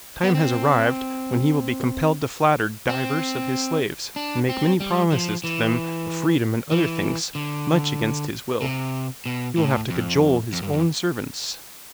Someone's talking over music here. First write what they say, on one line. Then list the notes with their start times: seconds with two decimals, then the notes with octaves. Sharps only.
The time has arrived when he will be compelled to flatter divers of his slaves, and make many promises to them of freedom and other things, much against his will--he will have to cajole his own servants.
0.23 B3
0.35 C4
2.89 C4
4.16 D4
4.49 C4
4.80 G3
5.12 F3
5.44 E3
6.72 E3
7.35 D3
8.62 C3
9.26 B2
9.57 A2
9.90 F2
10.53 F2
10.63 G2
10.73 F2